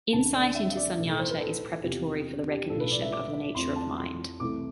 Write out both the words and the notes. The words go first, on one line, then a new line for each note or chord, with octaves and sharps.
Insight into sunyata is preparatory for the recognition of the nature of mind.
D2 D3 A3 C4 A5
D5
E5
E5
D5
B1 A2 E3
A4
C5
B4
A4
E2 C3 F3 G4
G4
B1 A2 F3 A4
B4
D5
E5
D6
F2 E3 A3 C4 C6
A5
C6
C2 C3 E3 A3 D6